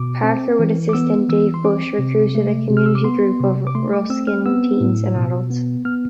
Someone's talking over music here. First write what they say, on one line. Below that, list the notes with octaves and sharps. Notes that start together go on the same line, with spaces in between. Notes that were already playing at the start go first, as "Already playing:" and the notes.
Parker with assistant Dave Bush recruited a community group of Ruskin teens and adults.
Already playing: B2 D6
C4
E3
D6
B3 E6
E3 E6
C6
C4 D6
C3
A3
C3
F6
E6
D6
B3 C6
C3
D6
A3 C6
D6
C4 E6
F6
B3 E6
A2
B2
B3
B3 F6